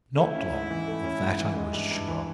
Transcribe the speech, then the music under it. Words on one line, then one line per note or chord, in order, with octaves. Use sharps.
Not long; of that I was sure.
A3 E4
C#4
G#2
E3
A3
C#4
G#2
E3
G#3 E4
G2
G2
E3